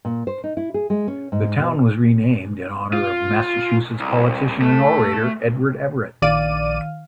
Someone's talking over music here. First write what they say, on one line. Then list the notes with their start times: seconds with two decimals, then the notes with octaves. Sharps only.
The town was renamed in honor of Massachusetts politician and orator Edward Everett.
0.05 A#2
0.27 C5
0.44 D#4
0.57 E4
0.74 G#4
0.90 G#3
1.08 C#4
1.32 G#2
1.59 B2
2.93 F4
4.00 C2
4.61 A3
6.22 A#1 D#3 D5 F5 F6 D#7